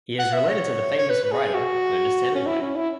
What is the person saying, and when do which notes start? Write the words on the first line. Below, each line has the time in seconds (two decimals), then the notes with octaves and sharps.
He is related to the famous writer Ernest Hemingway.
0.19 F#5
0.33 E5
0.49 C#5
0.98 C#5
1.09 B4
1.24 B4
1.31 G#4
1.54 F#4
2.35 C#4
2.46 E4
2.61 C#4
2.76 E4